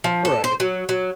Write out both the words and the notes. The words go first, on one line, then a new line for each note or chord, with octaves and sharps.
All right.
F3
A4
C5
F#3
F#3